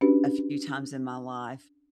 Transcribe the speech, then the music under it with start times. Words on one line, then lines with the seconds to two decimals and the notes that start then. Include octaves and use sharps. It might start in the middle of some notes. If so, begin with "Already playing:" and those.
a few times in my life
0.01 C#4 D4 F#4 G4 B4